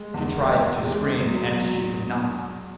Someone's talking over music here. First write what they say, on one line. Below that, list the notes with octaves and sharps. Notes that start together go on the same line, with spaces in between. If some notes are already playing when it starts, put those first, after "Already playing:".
She tried to scream and she could not.
Already playing: G#3
E2
E2
G#3
F#3
F#3